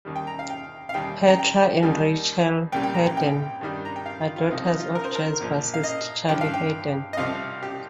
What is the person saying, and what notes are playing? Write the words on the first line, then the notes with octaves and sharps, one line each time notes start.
Petra and Rachel Haden are daughters of jazz bassist Charlie Haden.
D#2 D#3 G3
G5
A#5
F5
G5
F5
D#2 D#3 G3 G5
A#5
G5
D#2 D#3 G3
C2 A#2 G3 G5
G5
A#5
G5
G5
G2 D#3 G3
A#5
G5
F5
F4
F4
C2 C3 F3 D#4
D#4
F4
A#4
C5
A#4
A#1 A#2 F3
F5
D#5
G2 F3 G5
F5
G5
D#5
C2 C3 F3 F5
G4